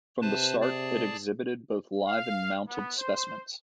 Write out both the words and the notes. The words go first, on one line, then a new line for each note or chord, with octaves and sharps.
From the start it exhibited both live and mounted specimens.
C3 B4 C5 A5
G#4 D5 A5
F5
B3
C5